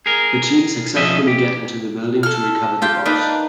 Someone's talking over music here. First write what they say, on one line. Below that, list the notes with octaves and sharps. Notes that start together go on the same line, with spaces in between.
The team successfully get into the building to recover the box.
G#4 A#4
B2 F3 C#4 D#5 E5
G4
A4 F6
F4 G4 G5
A#3 D4 D#4 B4